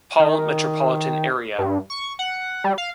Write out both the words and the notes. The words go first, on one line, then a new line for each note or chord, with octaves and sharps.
Paul metropolitan area.
D#3
G2
C#6
F#5
G3
F5